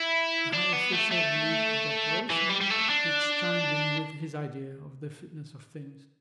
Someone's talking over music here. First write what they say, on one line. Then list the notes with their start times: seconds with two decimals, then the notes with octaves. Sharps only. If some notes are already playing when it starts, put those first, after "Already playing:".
The high official believed the declaration, which chimed in with his idea of the fitness of things.
Already playing: E4
0.53 D4
0.73 B3
0.93 A3
1.11 A3
2.30 E3
2.50 G3
2.61 G3
2.70 A3
2.90 D4